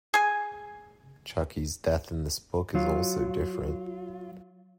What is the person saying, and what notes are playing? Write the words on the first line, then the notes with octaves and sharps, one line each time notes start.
Chucky's death in this book is also different.
G#4 G#5
F#3 F4